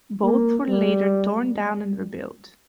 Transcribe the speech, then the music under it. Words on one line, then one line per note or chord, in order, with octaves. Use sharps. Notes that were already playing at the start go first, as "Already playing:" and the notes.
Both were later torn down and rebuilt.
A#3
G3